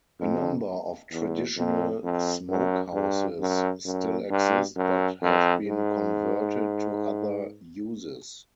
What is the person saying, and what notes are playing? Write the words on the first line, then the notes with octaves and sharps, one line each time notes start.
A number of traditional smokehouses still exist but have been converted to other uses.
F2
E2
F2
F2
F#2
G2
F#2
F#2
G2
F#2
F2
G#2